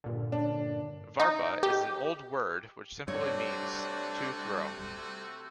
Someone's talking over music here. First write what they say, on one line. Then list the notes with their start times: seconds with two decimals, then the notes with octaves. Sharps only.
"Varpa" is an old word which simply means "to throw".
0.04 G2 A#2 D3
0.32 D4
1.20 D#4
1.63 G4
3.08 C3 G3 A3 D4 F#4 C#5